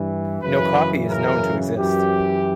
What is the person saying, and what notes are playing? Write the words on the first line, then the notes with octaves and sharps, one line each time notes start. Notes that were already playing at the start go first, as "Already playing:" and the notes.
No copy is known to exist.
Already playing: G2 E3
F#2 C#3 E3 B4
A#4
F#2 E3 G4